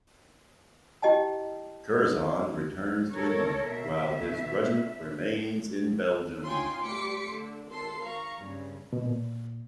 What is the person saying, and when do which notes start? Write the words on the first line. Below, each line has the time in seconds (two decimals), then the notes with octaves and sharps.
Curzon returns to England while his regiment remains in Belgium.
1.02 E4 G4 D#5 G5 A5
3.13 A4 A#4 C#5
3.69 B2 E5
6.44 C#4 D#4 F4 G5 G#5 C6
6.83 G3 A3 C6 D6 B6 C#7
7.28 D3
7.69 G#1 A4 C6 C7
8.05 F5 A#5 C#6
8.39 G2 C#3
8.93 B2
9.06 A#2